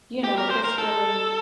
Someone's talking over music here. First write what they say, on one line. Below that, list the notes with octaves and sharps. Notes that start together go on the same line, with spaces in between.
you know, "this really"
G4
A#4
C5
A#4
A4